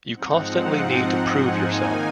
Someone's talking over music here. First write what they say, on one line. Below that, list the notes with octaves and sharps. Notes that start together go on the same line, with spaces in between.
You constantly need to prove yourself.
G#2 F3 C4 D#4 F#5
G#5
D#3 A#3 D#4